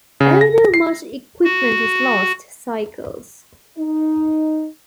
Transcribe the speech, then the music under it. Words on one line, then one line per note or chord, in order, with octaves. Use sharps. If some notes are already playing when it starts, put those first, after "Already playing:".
Although much equipment was lost, cycles.
C#3
A#6
C7
F#4
D#4